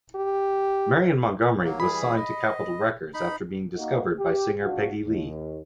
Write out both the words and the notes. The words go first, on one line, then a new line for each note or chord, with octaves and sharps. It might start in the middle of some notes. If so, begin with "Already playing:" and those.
Marion Montgomery was signed to Capitol Records after being discovered by singer Peggy Lee.
G4
F#3 A#3
E3 G3 G#4 B5
D#5
D#4 B5
A#3 D#4 F#4
G4
C#2 D4 F4 F#4
D#2